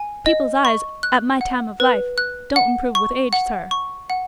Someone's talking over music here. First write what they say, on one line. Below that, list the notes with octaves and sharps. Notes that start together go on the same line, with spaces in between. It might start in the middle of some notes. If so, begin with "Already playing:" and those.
'People's eyes, at my time of life, don't improve with age, sir.'
Already playing: G#5
D#5
C#6
F#6
F#5
B4
F#6
F#5
C#6
F#5
C#6
F#5